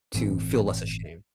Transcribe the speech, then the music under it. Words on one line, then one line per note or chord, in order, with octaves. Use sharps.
to feel less ashamed?
G1 A2 E3 C4